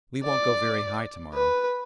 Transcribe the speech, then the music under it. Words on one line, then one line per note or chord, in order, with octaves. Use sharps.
We won't go very high to-morrow.
D5
B4